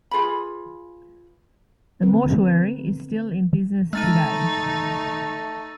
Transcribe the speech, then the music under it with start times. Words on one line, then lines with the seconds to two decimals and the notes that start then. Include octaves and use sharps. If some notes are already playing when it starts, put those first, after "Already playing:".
The mortuary is still in business today.
0.11 F4 G#4 B4 B5
2.02 D3 B3 C4 A#4 B4
3.93 G#3 A3 D#4 E6 F6 A6 D#7